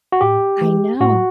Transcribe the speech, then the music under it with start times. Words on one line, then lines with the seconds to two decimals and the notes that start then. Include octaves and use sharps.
I know.
0.12 F#4
0.21 A2 G4
0.61 E3
1.00 A2 F#4